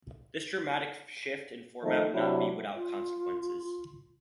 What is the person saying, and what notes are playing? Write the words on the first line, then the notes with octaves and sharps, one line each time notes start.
This dramatic shift in format would not be without consequences.
D#3 F3 A3 D#4
C3 F#3 D4 E4
F4